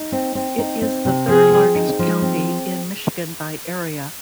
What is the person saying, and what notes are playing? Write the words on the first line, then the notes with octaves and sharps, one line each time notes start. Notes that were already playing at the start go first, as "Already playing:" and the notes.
It is the third-largest county in Michigan by area.
Already playing: D#4
C4
C4
D#4
C4
C3
F3 G#4
C4
D#4
F3
C4